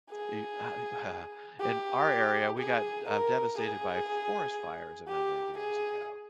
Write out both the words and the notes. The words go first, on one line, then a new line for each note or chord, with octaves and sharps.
you uh e uh In our area, we got, uh, devastated by f forest fires a number of years ago.
G#4
G4
G#4
A#4
G#4
G4
G#4